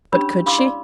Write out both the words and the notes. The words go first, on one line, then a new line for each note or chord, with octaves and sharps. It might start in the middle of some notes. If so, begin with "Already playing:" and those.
But could she?
C#4 D4 G4 C#5 B5 E6
E4 F5 B5 C6 D6 E6
D5